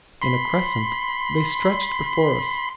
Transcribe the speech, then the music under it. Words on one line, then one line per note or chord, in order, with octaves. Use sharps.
In a crescent, they stretched before us.
B5 C6